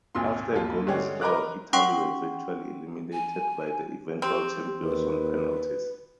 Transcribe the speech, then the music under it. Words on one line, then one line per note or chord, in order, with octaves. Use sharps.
After a goalless draw, Italy were eventually eliminated by the eventual champions on penalties.
G#1 D2 A#2 C6
A#1 D#2 F4
D3 G3 G#3 C#4 D4 G4
A#4 B4 D#5 A#5 D6 F#6
C#4 F#5 G5 C6 C#6
G#5
C4 G4
D#2 B4